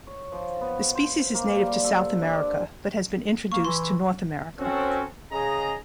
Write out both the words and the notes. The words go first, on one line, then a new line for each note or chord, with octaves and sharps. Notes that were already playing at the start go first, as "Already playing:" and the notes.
The species is native to South America, but has been introduced to North America.
C#5
F3
B3
C5
A#3
G3
A4
D4
A#3 C#6
E3 C6
C4 C#4 F#4 A4
C#3 G#4 D#5 A#5